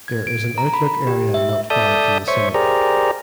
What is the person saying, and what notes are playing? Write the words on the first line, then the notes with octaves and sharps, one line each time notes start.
There is an outlook area not far from the summit.
G#6
D7
A#5
B5
G4
E5
E5
A4 D5 E5 A5 D#6 G6
C5 C#5 E5 C#6
G4 G#4 A#4 C5 D5 A#5